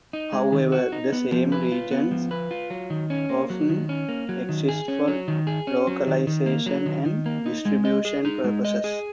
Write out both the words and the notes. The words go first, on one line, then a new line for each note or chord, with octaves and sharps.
However, the same regions often exist for localisation and distribution purposes.
D#4
G#3
D#3
F#4
D#4
B3
F3
B4
F4
B3
F3
B4
F4
F#3
D#3
C#4
A#3
F#3
D#3
C#4
A#3
F#3
D#3
G#4
C#4
F#3
D#3
G#4
C#4
F#3
D#3
D#3
A#3
F#3
D#3
D#3
A#3
D#4
G#3
D#5
G#4
D#4
G#3
D#5
G#4